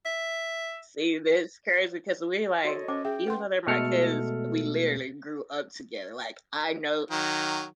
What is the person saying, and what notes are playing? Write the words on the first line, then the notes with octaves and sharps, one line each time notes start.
See, that's crazy, 'cause we like even though they're my cuz, we literally grew up together, like, "I know
E5
F#4 A4 A#4 C#5 D#5 C6
C#4 C5 G#5 D6
G#4 E5 G5
B4 F#5 C6
B2 G#3 A3 A4 F6 C#7
D#3 F#3